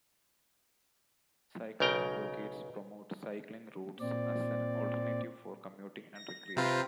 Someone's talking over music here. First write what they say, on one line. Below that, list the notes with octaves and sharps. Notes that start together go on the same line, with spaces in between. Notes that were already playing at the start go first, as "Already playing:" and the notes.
Cycling advocates promote cycling routes as an alternative for commuting and recreation.
B1 C#3 A#4 G5 A#5
A#2 C4 D5
A#6
C3 C4 F4 B4 C5 A#5